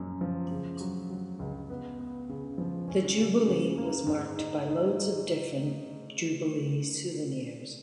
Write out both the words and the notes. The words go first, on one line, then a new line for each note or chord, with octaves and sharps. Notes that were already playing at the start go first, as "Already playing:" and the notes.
The Jubilee was marked by loads of different Jubilee souvenirs.
Already playing: F#2 F3 A#3
F3
C#3
F#3
F#3
C#2
B3
B3
C#3
F3
C#4
C#3
C#3
A#3
G#2
D#4
D#4